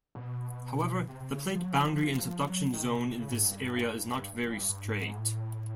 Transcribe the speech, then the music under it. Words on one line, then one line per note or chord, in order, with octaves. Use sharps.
However, the plate boundary and subduction zone in this area is not very straight.
B2
C3
C3
C#3
F3
F#3
F3
F#3
D#3
C3
B2
C3
C#3
G#2
G2
F#2
G2
G2
G#2
G#2
A2